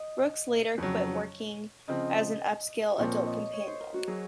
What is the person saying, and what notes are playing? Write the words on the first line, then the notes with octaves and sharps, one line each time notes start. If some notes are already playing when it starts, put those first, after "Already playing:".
Brooks later quit working as an upscale adult companion.
Already playing: D#5
F2 C#3 F#3 C#5
C#3 F3 C4 D#5
A#1 A#2 F3 C4 C#5
D#5
C#5
C5
A#4
F#4
F#3 G#4